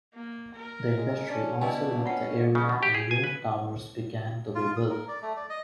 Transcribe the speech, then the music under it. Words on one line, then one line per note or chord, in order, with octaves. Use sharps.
The industry also left the area and new towers began to be built.
A#3
A#4
G#3
C#4 D4
B2 D4 E4 G#5
C#4 F4 F#5
C#3
B2
G4
G#4
G#5
B4
F4
D#6
A#4
D5
A3
D5
D#5